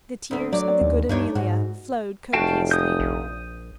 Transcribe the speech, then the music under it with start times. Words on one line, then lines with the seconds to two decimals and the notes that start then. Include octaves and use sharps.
The tears of the good Amelia flowed copiously.
0.31 D2 B3
0.53 F#3 D5
0.81 D#2
1.09 G2 D4 D#4 C#5
1.35 G#2 F#4
2.33 F1 F#4 F5 G5 A5
2.71 D#6 G6
3.00 A#1